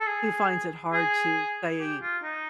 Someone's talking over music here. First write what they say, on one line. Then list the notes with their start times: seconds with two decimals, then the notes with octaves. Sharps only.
who finds it hard to say,
0.01 A4
0.07 G#4
0.93 G#4
1.81 G4
2.02 F4
2.23 D#4